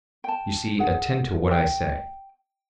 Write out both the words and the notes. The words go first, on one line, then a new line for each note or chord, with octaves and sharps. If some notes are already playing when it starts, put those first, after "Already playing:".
You see, attend to what I say.
G5 A5
G#4 F#5
G5